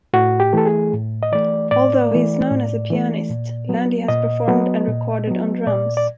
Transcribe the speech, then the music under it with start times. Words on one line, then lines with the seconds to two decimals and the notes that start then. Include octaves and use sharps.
Although he is known as a pianist, Lande has performed and recorded on drums.
0.13 A2 F#4
0.40 G4
0.53 E3 A3 A4
0.66 G#4
0.93 A2
1.23 D#5
1.32 E3 A3 D5
1.71 A2 D5
2.11 E3 A3
2.50 A2
2.90 E3 A3
3.30 A#2
3.69 F#3 B3
4.08 A#2 D#5
4.48 F#3 B3
4.88 A#2
5.28 F#3 B3
5.67 A#2 D5
5.97 D5